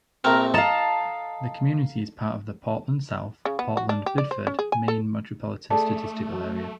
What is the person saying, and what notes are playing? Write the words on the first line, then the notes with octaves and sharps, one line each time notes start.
The community is part of the Portland-South Portland-Biddeford, Maine Metropolitan Statistical Area.
A#1 A3 C4 A#4
A4 D#5 F5 A5 A#5
C#3
B3
F#4
D4
G4
D5
C5
C#4
G#4
G#5
A4
A3 G#4 A4 D5 A5
F#3